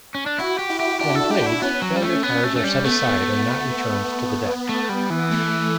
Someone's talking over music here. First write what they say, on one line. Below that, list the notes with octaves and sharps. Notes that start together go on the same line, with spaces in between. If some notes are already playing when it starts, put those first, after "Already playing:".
When played, failure cards are set aside and not returned to the deck.
C#4
D4
E4 F#4
G4
E4
G4
D4 G4
A4
G4
E4
B3 C#4
F#3
G3
A3
B3
A3
A3
G3
A3 B3
A3 B3
G3
E3
A3